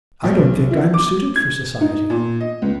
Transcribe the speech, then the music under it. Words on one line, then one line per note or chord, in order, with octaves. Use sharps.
'I don't think I'm suited for society.'
B1
E4
D6
G#6
D#4
A#2
D#5
C#2